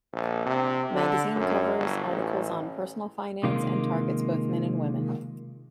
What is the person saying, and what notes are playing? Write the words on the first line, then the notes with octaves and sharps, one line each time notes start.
The magazine covers articles on personal finance and targets both men and women.
A#1
C3
D3
F#2
G1
A1
C3 D#3 G#3 A#3 F4